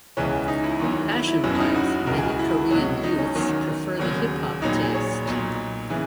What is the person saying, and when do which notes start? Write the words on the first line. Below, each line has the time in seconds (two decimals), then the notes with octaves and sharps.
Fashion wise, many Korean youths prefer the hip hop taste.
0.17 C#2 C#3 E3 C#4
0.48 D#4
0.64 E4
0.80 E2 D#3 F#3
1.12 E4
1.28 E4
1.44 F#1 F#2 C#3 F#3 C#4
1.55 E4
1.60 D#4
1.76 F#4
2.07 C#2 C#3 E3 A#4
2.18 G#4
2.29 F#4
2.39 E4
2.71 C#2 B2 F#3
3.03 D#4
3.18 C#4
3.35 E2 D#3 F#3
3.99 E1 D#2 C#3 F#3
4.62 A#1 A#2 F#3 D#4
4.83 G#4
4.94 C#5
5.26 B1 A#2 F#3
5.90 C#3 E3